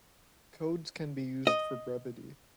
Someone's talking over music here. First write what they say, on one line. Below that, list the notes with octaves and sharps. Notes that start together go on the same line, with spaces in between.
Codes can be used for brevity.
D#5